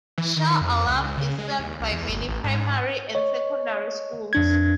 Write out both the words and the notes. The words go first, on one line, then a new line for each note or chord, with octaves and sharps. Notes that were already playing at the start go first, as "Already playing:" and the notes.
Shah Alam is served by many primary and secondary schools.
E3
D#3
F2
C#2
C#3
G#3
D#2
C2
E2
G1
A1
G#2
C#5 D#5
F2 D4 G#6